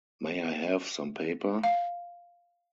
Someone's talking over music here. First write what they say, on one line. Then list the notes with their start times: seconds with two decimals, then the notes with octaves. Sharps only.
May I have some paper?
1.64 F5